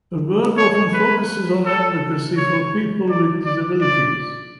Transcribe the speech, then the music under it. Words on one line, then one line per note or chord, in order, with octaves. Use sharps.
Her work often focuses on advocacy for people with disabilities.
C#5
B4
A4
C#5
D5
D5
D5